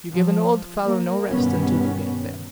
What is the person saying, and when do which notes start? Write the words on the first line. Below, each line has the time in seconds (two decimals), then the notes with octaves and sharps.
You give an old fellow no rest until you get there.
0.13 F3
0.85 A#3
1.30 G2 B2 D#3 G3 B3 C#4